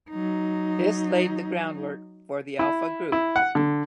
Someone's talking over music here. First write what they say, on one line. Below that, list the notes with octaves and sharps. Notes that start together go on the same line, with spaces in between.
This laid the groundwork for the Alpha Group.
F#3 D#4
E4
E4
F#5
D3